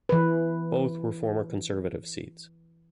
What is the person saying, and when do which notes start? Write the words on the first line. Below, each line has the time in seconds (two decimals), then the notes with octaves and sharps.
Both were former Conservative seats.
0.09 E3 B4